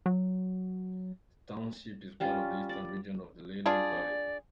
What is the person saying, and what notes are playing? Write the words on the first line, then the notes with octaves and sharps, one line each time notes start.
The township is part of the eastern region of the Lehigh Valley.
F#3
G3 C#4 F4
D5
D4 F4 G#4 D5